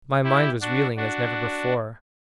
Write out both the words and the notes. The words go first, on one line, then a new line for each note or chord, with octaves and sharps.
My mind was reeling as never before!
E4 G4
D4 F#4
D4 F#4